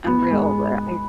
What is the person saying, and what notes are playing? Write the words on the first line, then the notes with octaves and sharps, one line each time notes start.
unreal, where I
B3
G#3